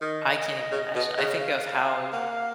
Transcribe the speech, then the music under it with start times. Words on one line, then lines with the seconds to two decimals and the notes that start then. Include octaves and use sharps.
I can't even imagine I think of how
0.01 D#3 D#5
0.72 C#3
0.95 B2
1.18 C#3
1.41 F5
2.12 A#3 F#5
2.29 F5